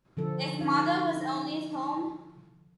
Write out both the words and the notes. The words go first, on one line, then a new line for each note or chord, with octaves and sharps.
If mother was only at home!
D3 F3 A4
D#4 F5